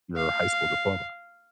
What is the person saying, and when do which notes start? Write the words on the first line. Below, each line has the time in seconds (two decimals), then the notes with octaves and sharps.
your high school diploma.
0.16 F5